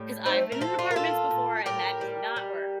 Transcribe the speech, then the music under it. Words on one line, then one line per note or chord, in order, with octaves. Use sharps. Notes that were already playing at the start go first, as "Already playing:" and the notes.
'Cause I've been in apartments before, and that does not work.
Already playing: A2 G3
A3 C4 D#4
A#4
F3 F4 A4
D4 F4
A#4
A#2 F4 A4
A#2
A2 G4 A#4
G3
G3